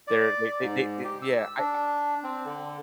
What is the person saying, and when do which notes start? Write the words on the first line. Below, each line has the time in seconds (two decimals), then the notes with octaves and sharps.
they're they they they they yeah, I
0.07 D5
0.62 G#2
1.04 G4
1.22 E6
1.57 D4
2.23 C4
2.45 D3